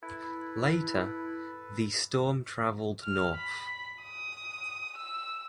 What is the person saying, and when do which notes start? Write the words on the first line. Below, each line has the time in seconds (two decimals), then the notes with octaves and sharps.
Later, the storm traveled north.
0.03 E4 A4 B4
3.03 F6
3.35 B5
4.03 D#6
4.98 E6